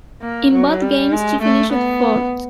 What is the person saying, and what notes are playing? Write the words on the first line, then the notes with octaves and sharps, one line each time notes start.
In both Games she finished fourth.
A#3
F#3
G3
G#3
A3
B3